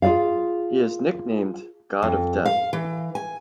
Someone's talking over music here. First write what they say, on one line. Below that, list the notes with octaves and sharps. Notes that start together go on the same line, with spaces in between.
He is nicknamed "God of Death".
F4 G#4 A#4 D5 F5
F2
F5
E3
G#5